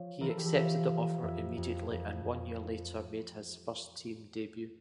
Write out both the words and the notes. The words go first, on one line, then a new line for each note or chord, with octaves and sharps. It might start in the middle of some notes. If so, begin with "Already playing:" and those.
He accepted the offer immediately and one year later made his first team debut.
Already playing: F3 C#5
E3 A#4
A4
G4
A4
F3 E5
F3
F2 E5
F2
F2
F2